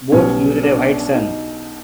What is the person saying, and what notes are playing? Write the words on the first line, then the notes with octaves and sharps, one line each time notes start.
Both used a white sun.
B1 B2 G3 B3 C#4
D4
D#4